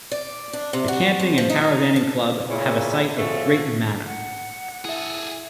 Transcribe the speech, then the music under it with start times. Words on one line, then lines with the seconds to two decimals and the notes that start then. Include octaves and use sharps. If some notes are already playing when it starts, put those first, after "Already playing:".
The Camping and cravanning club have a site at Drayton Manor.
0.12 D5
0.53 D4
0.73 C3
0.88 F#4
1.20 F2
1.38 F3
1.50 D#4
1.96 A5
2.48 A#2 C#3 E4
3.17 B2 F3 G#3 A3 C#4 F#4
4.06 F#5
4.85 E4 G#4 A4 E5